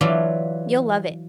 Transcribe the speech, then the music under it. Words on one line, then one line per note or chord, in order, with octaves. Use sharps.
You'll love it.
E3 F#3 F4 D5 A5